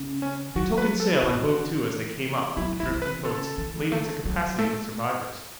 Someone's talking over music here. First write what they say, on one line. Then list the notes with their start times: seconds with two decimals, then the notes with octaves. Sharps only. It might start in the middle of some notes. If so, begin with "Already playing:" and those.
They took in sail and hove to as they came up with the drifting boats, laden to capacity with survivors.
Already playing: C#3
0.22 C#4
0.56 F#3 F#4
0.78 B4
1.00 A4
1.12 E4
1.22 E3 F#4
2.57 F#3 E4
2.80 E4
2.83 F#3
2.91 E3
3.02 B4
3.24 C#3 A4
3.58 E3
3.92 A3
4.26 F#3
4.58 A3 A4